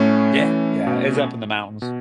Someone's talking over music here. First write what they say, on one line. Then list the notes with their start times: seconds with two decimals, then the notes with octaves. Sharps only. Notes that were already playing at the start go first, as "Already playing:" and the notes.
Yeah, yeah, it's up in the mountains
Already playing: A2 A3 C#4
0.39 E3
0.87 B2
1.82 B2